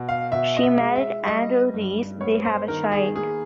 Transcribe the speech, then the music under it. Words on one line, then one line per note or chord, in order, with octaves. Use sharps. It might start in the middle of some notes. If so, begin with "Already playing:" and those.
She married Andrew Rees; they have a child.
Already playing: B2
F5
B2 E5
D#5
E5
G#3
E5
G3 D#5
G2
B3 C#5
C5
D#3 A#4
G#4
A#3 G#4